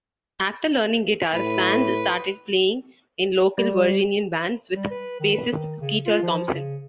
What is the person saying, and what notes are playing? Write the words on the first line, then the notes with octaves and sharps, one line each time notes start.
After learning guitar, Franz started playing in local Virginian bands with bassist Skeeter Thompson.
A2 B4
G3
G3
B4
D#3
B4
D#3
C#3
F4
F3
C#3